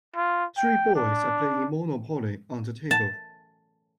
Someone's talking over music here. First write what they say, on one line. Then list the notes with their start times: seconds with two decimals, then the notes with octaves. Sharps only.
Three boys are playing Monopoly on the table.
0.16 F4
0.57 G5
0.96 D4
2.91 A5